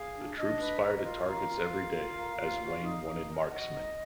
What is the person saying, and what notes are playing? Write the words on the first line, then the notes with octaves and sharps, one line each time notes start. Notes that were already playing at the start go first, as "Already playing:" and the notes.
The troops fired at targets every day as Wayne wanted marksmen.
Already playing: G#4 F5
D4
D4 D#5
B4
A#4 D#5
F4
A#4 F5
F4
A#4
F4
A#4
F4
F#4
D#4
D#4
A#4
F#4 D#5
D#4